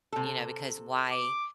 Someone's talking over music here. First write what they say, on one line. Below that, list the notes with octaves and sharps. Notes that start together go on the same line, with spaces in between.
You know, because why
C3 A4
D6